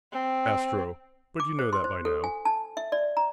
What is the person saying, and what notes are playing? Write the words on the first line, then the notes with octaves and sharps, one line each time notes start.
"Astro, but you know that by now."
C4
D6
C5
C6
C5
A4
G#5
A5
E5
D5
A#5